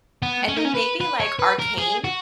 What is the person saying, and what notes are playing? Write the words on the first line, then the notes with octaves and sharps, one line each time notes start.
And then maybe like Arcane?
B3
C#4
D#4
C#4
B4
B4
C#5
B4
A#4
G#4
F#4